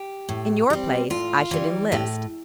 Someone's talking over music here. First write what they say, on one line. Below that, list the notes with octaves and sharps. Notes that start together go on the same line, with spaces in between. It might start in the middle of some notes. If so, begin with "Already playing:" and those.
In your place, I should enlist.
Already playing: G4
A2
G3 C4
A2 F4
E3 G3
A2 G4